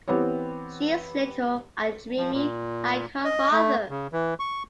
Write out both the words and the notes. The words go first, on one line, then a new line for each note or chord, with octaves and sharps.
She is little and dreamy, like her father.
E3 B3 C4 G4 C#5
F3
A#2
D#5
A3
C#3
E3
C#6